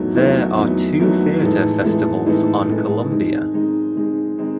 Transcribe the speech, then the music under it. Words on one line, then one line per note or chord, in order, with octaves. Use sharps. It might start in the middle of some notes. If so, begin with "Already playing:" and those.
There are two theatre festivals on Columbia.
Already playing: E2 D#3 F#3 A3 D#4
E2 D#3 F#3 A3 D#4
E2 D#3 F#3 A3 D#4
E2 D#3 F#3 A3 D#4
A2 E3 G#3 D#4 A4
A2 E3 G#3 D#4 A4
A2 E3 G#3 D#4 A4
A2 E3 G#3 D#4 A4
D#3 G#3 C4 D#4
D#3 G#3 C4 D#4
D#3 G#3 C4 D#4
D#3 G#3 C4 D#4